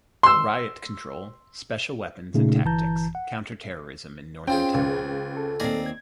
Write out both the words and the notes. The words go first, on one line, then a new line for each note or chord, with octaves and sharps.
Riot control, Special Weapons and Tactics, counter-terrorism in northern Taiwan.
C6 E6
A#2 C#3 A3 D#4
G1 E3 A5 A#5 G6
F#5
C4 C#4 F4 G#4 G5
C#2
A4
D#2 C4 D5 G#5 A#5
G#6